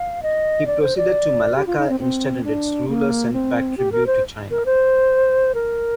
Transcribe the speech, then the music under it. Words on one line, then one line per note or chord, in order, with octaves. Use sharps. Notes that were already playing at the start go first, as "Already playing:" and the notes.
He proceeded to Malacca instead and its ruler sent back tribute to China.
Already playing: F5
D#5
D5
C5
D5
G4
F4
D#4
C4
C4
D4
A#3
C4
G4
A#4
C5
A#4
C5
A#4